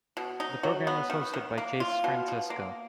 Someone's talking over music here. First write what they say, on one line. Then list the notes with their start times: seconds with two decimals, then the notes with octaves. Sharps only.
The program was hosted by Chase Francisco.
0.17 B2
0.40 D#4
0.63 F#3
0.87 B3
1.10 D#3
1.34 D#3
1.58 A#3
1.80 F4
2.04 B2
2.28 B2
2.50 A#3